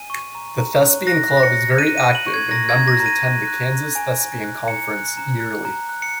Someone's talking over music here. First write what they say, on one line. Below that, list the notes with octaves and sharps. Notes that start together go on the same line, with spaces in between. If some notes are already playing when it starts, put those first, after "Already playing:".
The Thespian club is very active and members attend the Kansas Thespian Conference yearly.
Already playing: G#5 D#7
C#6
A#5
A#5
F#6
F#6 A#6
F#6
A#6
C#7
F#6
F#6 D#7
D#7
F#6
F#7
C#6
G#6
A#5 A#6
G#6
A#5
A#6
A#5
D#7
F#6
F#6
A#5
G#5
G#5
F#6
A#5 C#7
F#6
A#5
F#6
A#5
F#6
C#7